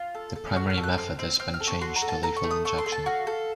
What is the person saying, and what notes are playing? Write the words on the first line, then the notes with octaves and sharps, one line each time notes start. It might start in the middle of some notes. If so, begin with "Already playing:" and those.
The primary method has been changed to lethal injection.
Already playing: F4
A4
A4
F#4 F6
F6
A4
F#6
C4 F6
C4
C4 F6
F6
A4
C#6
F#4 C6
A#5
A4
A5
A4 A#5
C#6
A3
D#6
A4 C#6
C6
A4
A5
F#4 F5
A4